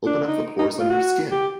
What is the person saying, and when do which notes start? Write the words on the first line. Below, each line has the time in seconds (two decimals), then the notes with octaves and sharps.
Open up the pores on your skin.
0.06 D4
0.28 D#4
0.59 D#4
0.80 F4
0.90 F#4
1.32 G4